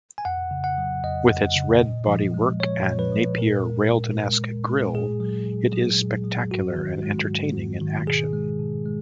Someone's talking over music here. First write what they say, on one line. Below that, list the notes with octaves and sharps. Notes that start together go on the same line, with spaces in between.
With its red bodywork and Napier-Railton-esque grille, it is spectacular and entertaining in action.
G#5
F2 F#5
C#3
F#5
F#3
F2 D#5
F2
C#3
A#2
F3
G#3
A#2 C#5
A#2
B4
F3
A#2 A#4
G#3
A#2
G#3
A#2
G#3
A#2 G#4
F#3
A#2
F#3
A#2
F#3
G#2 F#4
D#3
G#3
G#2
G#2
D#3
B2 G#4
G#3
B2
G#3